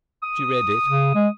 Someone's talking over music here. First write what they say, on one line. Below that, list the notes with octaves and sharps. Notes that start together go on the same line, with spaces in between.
She read it.
D#6
C#3
G#3